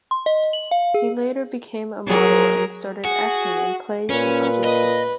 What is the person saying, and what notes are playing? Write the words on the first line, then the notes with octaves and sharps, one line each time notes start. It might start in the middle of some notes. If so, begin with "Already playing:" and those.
He later became a model and started acting in plays in Argentina.
C6
D#5
F#7
F5
G#4
F#3 G#4 A#4
F#4 G#4
A#2 C#4 B4
B4 D#5